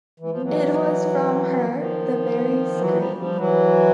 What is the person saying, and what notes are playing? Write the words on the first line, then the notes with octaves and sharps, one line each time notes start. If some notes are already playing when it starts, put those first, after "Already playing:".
It was from her, the very screed.
E3
F3
E3 F#3
F3
E3
D#3 F3
E3 F#3
F3 G3
F3 G3
E3 F#3